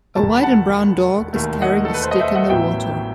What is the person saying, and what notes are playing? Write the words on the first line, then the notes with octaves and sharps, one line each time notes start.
A white and brown dog is carrying a stick in the water.
E1 D#2 D#3 A5
B5
F#5 A5
E1 D#2 D#3 A3
D#5 F#5
A4
B4
C5
D#5
C5 E5
D#5 F#5
A1 A2 F#3 B3 E5 G5